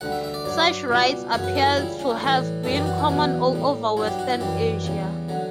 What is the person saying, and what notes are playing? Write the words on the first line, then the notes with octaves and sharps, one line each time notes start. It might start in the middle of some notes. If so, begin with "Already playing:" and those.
Such rites appear to have been common all over Western Asia.
D2 D3 G3 F#5
E5
E5
D5
G2 F#3 D5
C#2 B2 G3
F#2 C#3 F#3 C#5
B4
A4
E4
C#2 C#3 G3 E4
C#4
D4
A2 E3 G3
F#2 E3 G3 A4
G4
F#4
E4
E2 B2 F#3 D4
A2 G3
G2 F#3 E4
G4
F#4
E4
F#2 E3 G3 G4
E2 C#3 G3
D3 F#3